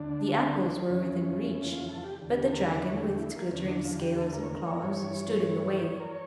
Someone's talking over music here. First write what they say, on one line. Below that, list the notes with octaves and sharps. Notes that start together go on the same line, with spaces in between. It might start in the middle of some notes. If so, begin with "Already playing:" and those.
The apples were within reach, but the dragon, with its glittering scales and claws, stood in the way.
Already playing: D2 D3 D4
F2 C#3 E3 C#4
C#4
F4
A4
F4
G4
E2 D3
G4
A4
A#4
D5
C#5
G4
E4
A#3
E2 D3 C#4
D4
F4
F4
G4
A4
A#4
C#5
A#4
C#5
A#4
G2 E3 C#5
A#4
C#5